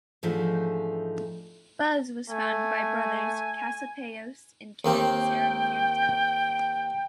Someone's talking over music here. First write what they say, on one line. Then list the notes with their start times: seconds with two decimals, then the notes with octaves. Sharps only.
Phuz was founded by brothers Casapaos and Ken Sarmiento.
0.23 G#2 E3 F3 A3 D4 D#4
2.30 A3 G#5
4.85 D#2 A#3 C4 G5